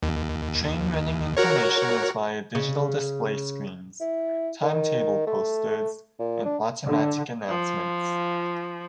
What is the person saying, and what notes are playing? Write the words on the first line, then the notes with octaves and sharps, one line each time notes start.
Train running information is via digital display screens, timetable posters and automatic announcements.
D#2
F#4 A#4 C#5
C#3
E4
D#3
A3
A#2
D4
D3
F3